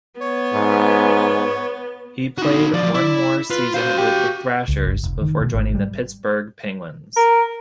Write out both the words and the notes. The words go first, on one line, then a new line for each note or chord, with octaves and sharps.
He played one more season with the Thrashers before joining the Pittsburgh Penguins.
B3 C#5
G#2
D#4 F#4
F3 F#3 D5
E4
F4 B4
F#4 C5 F5
G4
C#2
G1
F1
D#3
B2
G#1
G3
A#4